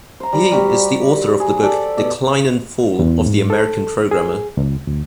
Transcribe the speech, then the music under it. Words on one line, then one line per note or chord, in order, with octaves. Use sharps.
He is the author of the book "Decline and Fall of the American Programmer".
C5 A#5
G3
G3 F#4 G4
G#4
G4 A4 D5
B2 D5
E2
G#2
A4
G#4
C#2
D2